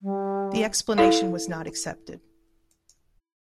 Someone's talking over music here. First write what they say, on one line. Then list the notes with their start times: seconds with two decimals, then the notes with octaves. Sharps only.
The explanation was not accepted.
0.02 G3
0.98 E4 A4 F5